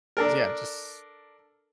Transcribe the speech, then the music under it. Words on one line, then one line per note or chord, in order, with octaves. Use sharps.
'Cause, yeah, just
D4 A4 A#4